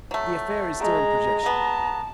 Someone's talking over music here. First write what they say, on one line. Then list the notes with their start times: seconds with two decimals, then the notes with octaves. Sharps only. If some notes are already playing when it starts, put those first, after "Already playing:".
"The affair is still in projection."
0.11 F#3 A3
0.80 G#3 A#5
1.46 B3 A5